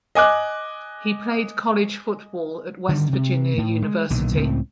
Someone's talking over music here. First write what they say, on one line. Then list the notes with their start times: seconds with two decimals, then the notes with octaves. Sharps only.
He played college football at West Virginia University.
0.15 D#5 G#5 D6 F#6
2.89 D3 D#3 G3
3.13 C3
3.58 A2
3.82 G#3
4.10 B1 A#2 D3 D#3
4.37 C#2 A2 C#3 C4